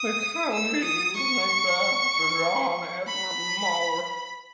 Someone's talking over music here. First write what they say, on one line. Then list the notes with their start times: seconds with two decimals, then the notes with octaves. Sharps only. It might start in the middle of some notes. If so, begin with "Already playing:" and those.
The county is named after John Edward Mower.
Already playing: D#6
0.53 E6
0.85 D#6
1.17 C#6
3.07 B5